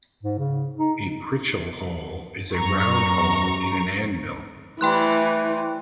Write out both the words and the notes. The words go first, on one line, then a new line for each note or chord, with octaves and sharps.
A pritchel hole is a round hole in an anvil.
G#2
C#3
D#4
F#2 A#5 C#6
E3 G3 A3 E4 C5 G5 C6 F#6